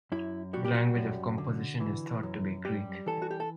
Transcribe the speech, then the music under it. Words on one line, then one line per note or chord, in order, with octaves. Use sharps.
The language of composition is thought to be Greek.
F#2 E4
G3 F#4
G4
F#4
F#2
D3
E3
F#2
G3 G4
E3 A4
F#4
G4
A4